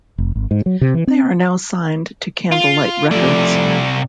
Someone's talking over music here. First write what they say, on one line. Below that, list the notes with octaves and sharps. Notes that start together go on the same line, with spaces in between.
They are now signed to Candlelight Records.
F1
G#1
G#2
F#3
C3
E3
C4
F4
C3 F3 A3 D5